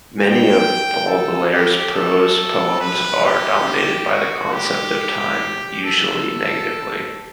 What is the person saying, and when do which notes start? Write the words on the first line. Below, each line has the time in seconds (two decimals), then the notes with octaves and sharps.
Many of Baudelaire's prose poems are dominated by the concept of time, usually negatively.
0.20 G5
1.08 A4
1.50 G4
1.93 A4
2.80 B4
3.24 G4
4.11 F#4
4.53 G4
5.84 A4